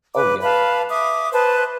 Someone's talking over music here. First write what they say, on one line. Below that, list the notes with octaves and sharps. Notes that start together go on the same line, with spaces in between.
Oh, yeah.
B4 D6
B4 F5 A5 B5
E5 D6 D#6
B4 C5 A5